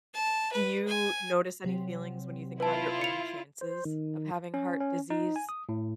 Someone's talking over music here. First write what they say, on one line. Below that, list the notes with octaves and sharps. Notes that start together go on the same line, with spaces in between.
Do you notice any feelings when you think about your own chances of having heart disease?
A5
B4
G#5
C3 F#3 C4
E4 F4 B4 A5
C#7 F7
C5
D#3
C#4
C#4
D#4
G#5
D#6
A2